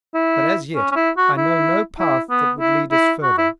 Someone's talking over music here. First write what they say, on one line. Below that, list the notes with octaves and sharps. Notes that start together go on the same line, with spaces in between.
But as yet I know no path that would lead us further.
E4
C#4
C#4
E4
F#4
E4
E4
B3
E4
E4
F#4
E4